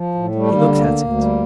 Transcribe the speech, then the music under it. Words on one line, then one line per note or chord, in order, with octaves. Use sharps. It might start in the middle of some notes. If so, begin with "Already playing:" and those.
He looked at it.
Already playing: F3
A2
G3 A3
D3 A#3
D2 A#3
D2
G3